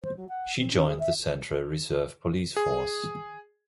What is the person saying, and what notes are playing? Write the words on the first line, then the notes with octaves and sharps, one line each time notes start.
She joined the Central Reserve Police Force.
C5
F#3
F#5
C4
C#4
G#4
E5
G#4